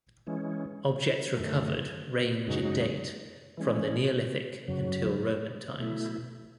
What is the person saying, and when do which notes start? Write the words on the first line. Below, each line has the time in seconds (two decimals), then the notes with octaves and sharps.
Objects recovered range in date from the Neolithic until Roman times.
0.27 E3 G#3 C#4
1.37 F#2 D#3 A3
2.46 F#2 C#3 G#3 D#4 F#4
3.57 E3 G#3 C#4
4.68 F#2 C#3 F#3
5.79 B2 A3 E4